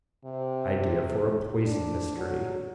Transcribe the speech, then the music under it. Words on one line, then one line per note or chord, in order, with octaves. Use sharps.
Idea for a poison mystery.
C3
D4
F#3